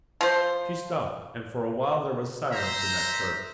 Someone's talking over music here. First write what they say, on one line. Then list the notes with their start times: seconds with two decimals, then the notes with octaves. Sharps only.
She stopped, and for a while there was silence in that church.
0.21 F3 C5
2.52 C5 E5 A#5